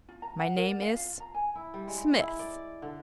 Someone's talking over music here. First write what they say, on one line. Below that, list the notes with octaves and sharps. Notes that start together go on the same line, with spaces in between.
"My name is--Smith."
F4
A#5
F#5
A#4
D5
F5
F4
A#5
G#5
E4
G3
G#3
E4
D5
D3